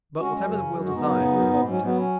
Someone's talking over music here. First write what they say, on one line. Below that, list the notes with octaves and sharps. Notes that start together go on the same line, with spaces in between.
But whatever the will desires is voluntary.
G#3 C#4 F#4
F#2 C#4
C#3 C#4
F#2
G#3
F#4
F#2 B3 D#4
C#3
F#2
G#2
G#2
F#3 C#4
F#3 B3
C#4